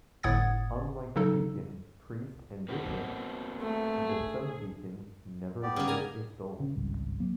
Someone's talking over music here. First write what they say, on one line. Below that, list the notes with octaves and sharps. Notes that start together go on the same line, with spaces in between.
Unlike the deacon, priest, and bishop, the subdeacon never wears a stole.
G1 A2 F#5 D#6 G#6 A6
C#3 F#3 D#4 A4
A#3 C4 F#4
A3
G#4
B3 G4 D5
C#3 A#3
G#5 A#5
C#3
G#1 C#2 G2
F#3 A#3